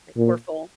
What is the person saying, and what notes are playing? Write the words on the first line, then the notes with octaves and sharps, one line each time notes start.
Like, "We're full."
A#2